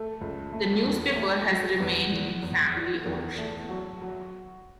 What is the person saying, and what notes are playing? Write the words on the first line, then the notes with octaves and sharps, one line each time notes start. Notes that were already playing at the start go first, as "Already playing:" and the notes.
The newspaper has remained in family ownership.
Already playing: A3 A4
C#2
A3
E2
A3
F#3
E2 B3 B4
E3
E2
E3
E2
A3
F#3 F#4
F#3